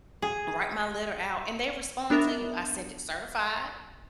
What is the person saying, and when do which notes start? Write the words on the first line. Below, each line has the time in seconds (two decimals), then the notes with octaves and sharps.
write my letter out, and they respond to you. I sent it certified
0.22 G#4
2.10 B3 D4 A#4 E5